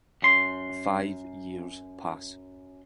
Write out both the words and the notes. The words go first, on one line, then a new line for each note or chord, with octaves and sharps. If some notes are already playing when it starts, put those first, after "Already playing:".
Five years pass.
F#2 C6